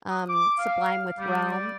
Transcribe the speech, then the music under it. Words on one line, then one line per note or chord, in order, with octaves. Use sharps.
um, Sublime with Rome,
D#6
D6
F5
G3
D5